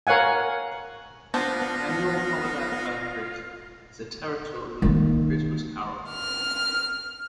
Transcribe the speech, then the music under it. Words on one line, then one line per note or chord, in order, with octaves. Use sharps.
The annual holiday favorite is A Territorial Christmas Carol.
A#4 C#5 F5 F#5 G#5
F3 B3 D4 F4 C5 A#6
D#3 A#3
F6